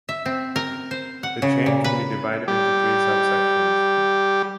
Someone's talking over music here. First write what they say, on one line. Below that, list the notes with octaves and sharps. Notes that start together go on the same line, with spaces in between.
The chain can be divided into three subsections.
E5
C4
A#4
C5
F#5
C#3
A#2
B4
G3 G4